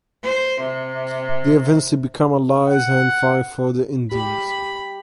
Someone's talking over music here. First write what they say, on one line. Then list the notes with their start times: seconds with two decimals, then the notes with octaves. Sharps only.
They eventually become allies and fight for the Indians.
0.23 C5
0.60 C3
2.67 F#5
4.12 G4 B5